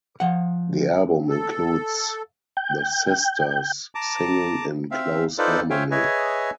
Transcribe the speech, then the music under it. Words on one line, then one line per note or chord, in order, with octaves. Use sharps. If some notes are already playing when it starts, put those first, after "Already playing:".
The album includes the sisters singing in close harmony.
F3 F#5
A4
G5
A5 A#5 D6
C4 E5 F5
D#4 F4 A4 B4 C5 D5
C5 C#5 E5 F5 G5 G#5
G#4 B4 C#5 D#5 E5 G#5